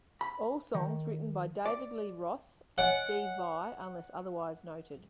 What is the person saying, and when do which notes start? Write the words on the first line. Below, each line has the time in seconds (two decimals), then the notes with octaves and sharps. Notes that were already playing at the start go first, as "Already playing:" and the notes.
All songs written by David Lee Roth and Steve Vai unless otherwise noted.
0.21 B5
0.75 D#3
1.66 D5
2.78 C#5 D#5 F#5 G#5